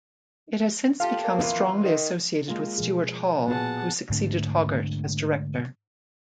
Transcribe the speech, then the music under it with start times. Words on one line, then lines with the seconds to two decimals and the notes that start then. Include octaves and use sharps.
It has since become strongly associated with Stuart Hall, who succeeded Hoggart as Director.
1.00 F4 G4 A4 F5
1.24 A#3
1.40 F2 E3 F4
1.85 D#3
2.48 G#3 A#3 F4
2.78 B2 F3 G#4
3.48 A#2 B3 F#4 G#4 B4 F#5 A5
4.10 G#2 D3 A3 D4